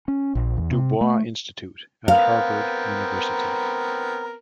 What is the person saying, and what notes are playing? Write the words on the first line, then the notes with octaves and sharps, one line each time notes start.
Du Bois Institute at Harvard University.
C#4
A#1
E2
C3
A3
B3 C4 A#4 F5